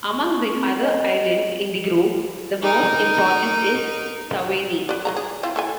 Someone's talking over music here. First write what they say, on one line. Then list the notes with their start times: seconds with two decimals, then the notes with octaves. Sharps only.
Among the other island in the group, the most important is Taveuni.
0.08 C#6
0.52 C4
0.82 D#5
2.62 D#4 A#4
4.89 B4 D5
5.05 F#3 A3 A#5
5.17 G#4
5.43 C4 E4 F4
5.56 E4 A4 G#5